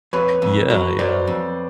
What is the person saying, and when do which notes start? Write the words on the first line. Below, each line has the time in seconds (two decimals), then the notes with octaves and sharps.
Yeah, yeah.
0.13 F2 B4 C#5
0.42 F2
0.70 F#3
0.99 F#3 C5 D5
1.27 F2